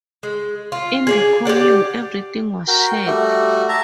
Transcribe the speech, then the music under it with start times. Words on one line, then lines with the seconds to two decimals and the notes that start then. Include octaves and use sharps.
In the commune, everything was shared.
0.23 G#3
0.72 F4
1.07 G#4 C#5 D5
1.45 G4 A#4 D5 F#5
2.68 F#4 A#4 G5
3.06 G3 A3 F#4
3.69 E5 A5 A#5